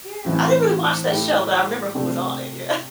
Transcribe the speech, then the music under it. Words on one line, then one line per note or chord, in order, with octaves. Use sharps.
Yeah, I didn’t really watch that show, but I remember who was on it. Yeah.
A2 E3 C4 E4
A2 A3 E4 G4
C3 A3 D4 G4